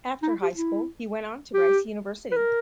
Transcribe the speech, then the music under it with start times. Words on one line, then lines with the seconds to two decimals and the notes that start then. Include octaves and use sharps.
After high school, he went on to Rice University.
0.23 D#4
0.29 E4
0.42 G4
0.57 E4
1.54 G4
2.32 B4
2.37 A#4